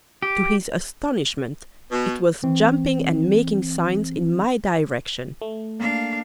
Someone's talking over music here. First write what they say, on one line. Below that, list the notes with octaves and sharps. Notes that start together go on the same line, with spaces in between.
To his astonishment it was jumping and making signs in my direction.
G4
B2
E3 C4
A3
A#3 D4 F5